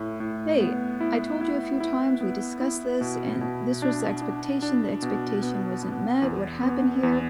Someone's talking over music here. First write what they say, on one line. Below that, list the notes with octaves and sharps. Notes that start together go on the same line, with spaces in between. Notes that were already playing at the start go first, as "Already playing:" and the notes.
"Hey, I told you a few times, we discussed this, and this was the expectation, the expectation wasn't met, what happened here?
Already playing: A2
A2
B3
E4
E4
E4
B3
E4
B2
B2
D4
D4
D4
B2
B3
B3
E2
B3
E2